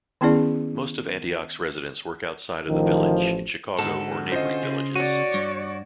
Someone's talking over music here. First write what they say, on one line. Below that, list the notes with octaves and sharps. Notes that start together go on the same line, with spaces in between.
Most of Antioch's residents work outside of the village, in Chicago or neighboring villages.
D#3 B3 C#4 E4 G#4 D5
A1 D#3 F3
G#2 D3 F#4 A4 E7
C#4 F4 C5 D#5
C#3
F#4 C#5 D5 D#7
G2